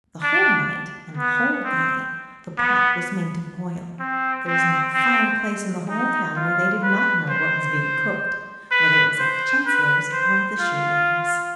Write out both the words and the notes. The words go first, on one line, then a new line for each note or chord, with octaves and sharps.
The whole night and the whole day the pot was made to boil; there was not a fire-place in the whole town where they did not know what was being cooked, whether it was at the chancellor's or at the shoemaker's.
D4
B3
C4
B3
C4
C4
C4
D#4
F4
B4
C5
B4
C5
B4
C5
F4